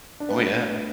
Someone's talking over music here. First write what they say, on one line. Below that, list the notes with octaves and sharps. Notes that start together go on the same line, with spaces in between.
Oh, yeah.
D4
B3
A3